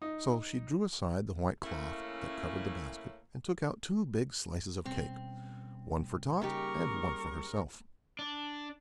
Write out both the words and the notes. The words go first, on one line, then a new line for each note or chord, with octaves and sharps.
So she drew aside the white cloth that covered the basket and took out two big slices of cake, one for Tot and one for herself.
D#4
C#3 A3 A#3 C#4 E4
B2 G3 C4 C#4
C#3 G3 A#3 D#4 G4 A#4 C#6
D4